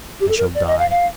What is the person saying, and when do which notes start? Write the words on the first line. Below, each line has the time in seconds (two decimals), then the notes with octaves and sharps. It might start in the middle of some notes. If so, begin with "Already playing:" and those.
I shall die.
0.20 G4
0.29 A4
0.37 A#4
0.55 D5
0.67 D#5
0.79 F5
0.90 F5